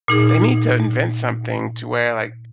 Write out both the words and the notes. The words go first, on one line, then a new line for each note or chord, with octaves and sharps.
They need to invent something to where, like,
A#2 D#4 G#4